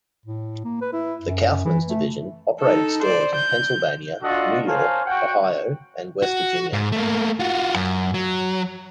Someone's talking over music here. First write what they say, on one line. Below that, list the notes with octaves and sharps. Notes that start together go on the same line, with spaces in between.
The Kaufmann's division operated stores in Pennsylvania, New York, Ohio and West Virginia.
A2
A#3
B4
E4
F#2
E3
A3
D#4 A4
C5 D5
G6
D4 F4 F#4 A4 D#5 F#5
A#4 C5 C#5 F5 G#5 A5
F#4 F#5 G5
F#4
G#2
A3 A#3
F4 F#4
F#2
F#3